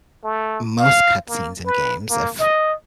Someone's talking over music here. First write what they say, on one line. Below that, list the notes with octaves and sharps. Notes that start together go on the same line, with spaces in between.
Most cut scenes in games, if
A3
F5
A#3
B4
A#3
D#5